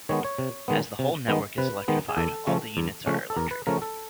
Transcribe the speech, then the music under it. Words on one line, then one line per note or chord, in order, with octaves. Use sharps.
As the whole network is electrified, all the units are electric.
D#3 G#3 B3 C#5
C#5
C3
D#3 G#3 B3
C3
D#3 G#3 B3
C3 B4
D#3 G#3 B3
G#4
E2 A4
C#3 F3 A3 C#4
E2
C#3 F3 A3 C#4
A4
E2 A#4
B4
C#3 F3 A3 C#4 A#4
A4